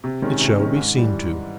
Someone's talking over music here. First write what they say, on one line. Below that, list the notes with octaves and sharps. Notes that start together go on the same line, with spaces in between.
It shall be seen to.
C3
D#3 G#3 C#4
C3
D#3 G#3 C#4
G#2
E3 G3